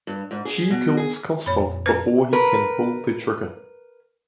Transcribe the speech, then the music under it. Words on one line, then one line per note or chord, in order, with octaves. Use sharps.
Chi kills Kostov before he can pull the trigger.
G2
G#2
G#4
B2
G#4
F2 A#2 C#5 B5
C#4 B4
A#4 B4